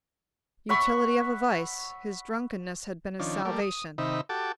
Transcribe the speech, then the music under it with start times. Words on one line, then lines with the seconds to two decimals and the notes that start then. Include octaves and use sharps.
Utility of a vice: his drunkenness had been his salvation.
0.69 E5 F#5 B5 C#6
3.19 D#3 F3 C#4 D4
3.45 G3 A3 A#3 D5
3.62 D#6
3.98 C3 D#3 D#4 E5 B5
4.29 F#4 G4 A4 A5 D6